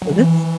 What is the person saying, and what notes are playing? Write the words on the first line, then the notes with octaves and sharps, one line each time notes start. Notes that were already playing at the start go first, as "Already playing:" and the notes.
So that's t
F#3
E3